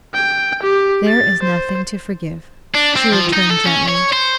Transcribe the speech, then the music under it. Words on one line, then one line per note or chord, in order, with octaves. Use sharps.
"There is nothing to forgive," she returned gently.
G5
G4
A6
C5
D4
C4
F3
D#4
A4
C#4
C#5
C5